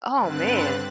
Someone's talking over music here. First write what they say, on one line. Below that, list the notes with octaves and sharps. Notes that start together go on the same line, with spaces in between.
Oh, man.
G2 D3 C4 B4 F#6 A6